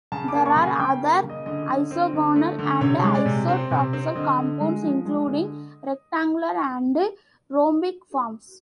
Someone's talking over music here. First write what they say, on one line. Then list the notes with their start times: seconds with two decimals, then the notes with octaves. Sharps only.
There are other isogonal and isotoxal compounds including rectangular and rhombic forms.
0.12 C#3 A5
0.28 D6
0.34 A#3
0.46 C#6
0.56 C#3
0.62 G#5
0.79 C#3 G5
1.02 A#3
1.24 C#3
1.30 D#5
1.46 D3 D#5
1.69 D3
1.91 C4
2.13 D3
2.36 A3
2.59 D3
2.81 C3 C#5
3.04 G#3
3.15 D5
3.26 C3
3.48 C4
3.71 C3
3.93 C4
4.15 D3 D#5
4.38 D3
4.61 G#3
4.83 F3
5.05 G#3
5.27 D3